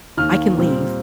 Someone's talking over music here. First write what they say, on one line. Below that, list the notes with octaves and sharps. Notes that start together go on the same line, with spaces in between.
"I can leave."
D#2 D#3 A#3 F6
A#2 G3 C4